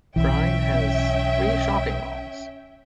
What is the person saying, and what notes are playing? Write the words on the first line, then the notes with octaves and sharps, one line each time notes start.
Bryne has three shopping malls.
B1 E3 C#4 E5 G5